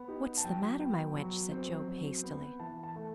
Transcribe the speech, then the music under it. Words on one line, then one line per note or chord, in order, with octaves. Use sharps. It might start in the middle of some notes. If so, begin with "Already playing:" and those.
"What's the matter, my wench?" said Job, hastily.
Already playing: B3
D#4 G4
A5
F#3 G5
B3 G5
F#3
C4
F#3
B3
E3 A5
A5
A3 A5